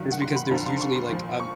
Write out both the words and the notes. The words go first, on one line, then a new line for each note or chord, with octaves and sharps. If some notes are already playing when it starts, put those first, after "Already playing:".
It's because there's usually, like, um
Already playing: G2 D#3 F#3
F#5
C6
B5
F2 D3 F3 A#5
C6
C#6
C6
A#2 F3
C#6